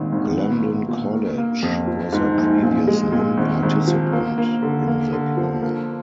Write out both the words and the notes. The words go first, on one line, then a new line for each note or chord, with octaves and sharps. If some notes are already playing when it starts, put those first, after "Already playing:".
Glendon College was a previous non-participant in the plan.
Already playing: G#1 A#2 D#3
G#1
B3
A#2
A#2
A#3
A#3
F2
F3
G#2
A#1
A#2
G#3
A#2
G#1
G#1
F3
A#3
A#3
D3
A#3
D3
F3
A#3